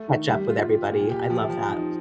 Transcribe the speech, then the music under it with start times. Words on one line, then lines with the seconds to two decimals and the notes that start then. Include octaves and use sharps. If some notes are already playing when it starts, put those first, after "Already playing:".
catch up with everybody. I love that.
Already playing: A3
0.08 D#3
0.29 G3
0.49 F4
0.69 G4
0.89 A#2
1.10 G4
1.30 F3
1.50 F3
1.70 D#4